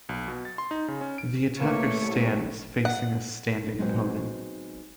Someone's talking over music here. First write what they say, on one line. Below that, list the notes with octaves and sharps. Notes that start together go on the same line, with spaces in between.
The attacker stands facing a standing opponent.
B1
B2
A6
C6
D#4
C#3
C#4
D7
E3 A3 A#3 C#5
C2
F#5
F#3 G#3 B3 C4 D#4 F#4